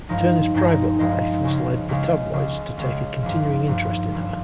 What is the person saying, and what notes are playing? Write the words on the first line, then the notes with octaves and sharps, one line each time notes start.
Turner's private life has led the tabloids to take a continuing interest in her.
G2 F3 G#3 D#4
G2 F3 G#3 D#4
G2 F3 G#3 D#4
C#2 C#3 G#3
C#2 C#3 G#3
C#2 C#3 G#3
C#2 C#3 G#3
G#1 G2 F3
G#1 G2 F3
G#1 G2 F3